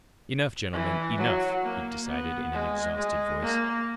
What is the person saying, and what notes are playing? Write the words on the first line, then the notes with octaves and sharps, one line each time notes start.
"Enough, gentlemen, enough!" he decided, in an exhausted voice.
E3
F#3
A#3
B3
G#3
G#3
A#3